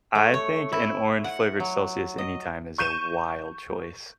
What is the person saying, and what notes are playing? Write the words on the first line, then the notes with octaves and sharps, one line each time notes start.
I think an orange-flavored Celsius anytime is a wild choice.
A3
C#5
E4
F#5
F#3
D#5
C#6 G6 D#7 E7